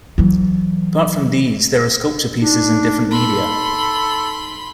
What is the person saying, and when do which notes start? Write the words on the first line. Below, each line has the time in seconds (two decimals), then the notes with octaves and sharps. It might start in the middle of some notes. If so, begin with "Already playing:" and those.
Apart from these there are sculpture pieces in different media.
0.18 E3 F#3
2.42 D4 D#4
3.11 A4 B5 C6